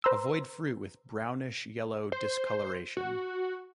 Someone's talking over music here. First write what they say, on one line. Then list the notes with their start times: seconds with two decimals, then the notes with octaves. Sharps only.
Avoid fruit with brownish-yellow discoloration.
0.04 B4 C5 A#5 C6 E6
2.12 C5
2.97 F#4